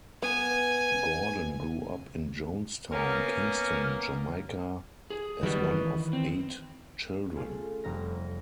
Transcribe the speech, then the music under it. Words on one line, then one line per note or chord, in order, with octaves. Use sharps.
Gordon grew up in Jones Town, Kingston, Jamaica as one of eight children.
B3 G#5
A#3 B3 C#4 A#4
G#4
D#3 F#3 G3 B4 D#5
D#3 E3
C4
A3 C#4 F4 G#4 A4
F1 G3 F5 A#5 A#6